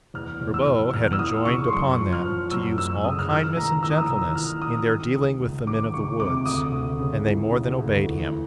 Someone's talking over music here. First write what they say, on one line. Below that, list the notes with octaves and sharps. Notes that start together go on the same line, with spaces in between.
Ribaut had enjoined upon them to use all kindness and gentleness in their dealing with the men of the woods; and they more than obeyed him.
E2 F6
E2
E6
E2
E2 F6
E6
E3 D#6
C#3 C#6
C6
F#2 C#6
F3
F6
F3
F#2 E6
F#2 E6
C#3 D#6
F6
E3 E6
D#2 A#5
E3 E6
D#6
E6
D#2
E3 F6
E3 D#6
D#3
C#2
C#2
D#3 D6
C#2 C#6
C3 D6
D2 D#6
D2
C#3
E3
C#3
D2
E3
E3